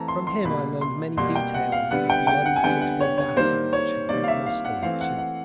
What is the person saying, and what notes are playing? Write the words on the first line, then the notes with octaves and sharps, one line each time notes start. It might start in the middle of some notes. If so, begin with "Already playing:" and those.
From him I learned many details of the bloody six-day battle which had rent Moscow in two.
Already playing: E3 A3 C4 A5 A#5
C6
C6
B2 G3 A#3 B5
C6
B2 G3 A#3 C6
G5
F#5
F5
D3 G3 B3 F#5
G5
G5
F#5
G#5
D3 G3 B3 G5
F#5
C#5
C#5
D#3 G3 A#3 C5
C#5
D#3 G3 A#3 D5
F5
E5
F5
F#5
E3 A3 C4 F5
F#5
F#5